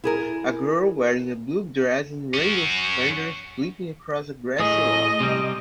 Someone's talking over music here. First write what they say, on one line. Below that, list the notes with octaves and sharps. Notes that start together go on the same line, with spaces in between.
A girl wearing a blue dress and rainbow suspenders leaping across a grassy lawn.
E4 G#4 A#4
C#4 F#4
A2 G#4 D#5
C3 G3